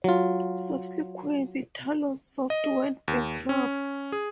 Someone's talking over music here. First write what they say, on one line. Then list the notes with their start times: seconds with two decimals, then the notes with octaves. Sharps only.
Subsequently, Talonsoft went bankrupt.
0.04 F#3 F4
2.50 D#5
3.08 D#2
3.49 C#4
4.12 G#4